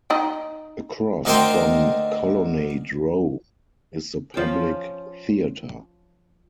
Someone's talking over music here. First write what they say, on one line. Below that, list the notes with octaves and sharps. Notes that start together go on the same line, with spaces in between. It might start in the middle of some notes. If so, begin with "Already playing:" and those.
Across from Colonnade Row is The Public Theater.
D#4 D#5 G5
D2 D#4 A#4 C5 G5
F3 C#4 G5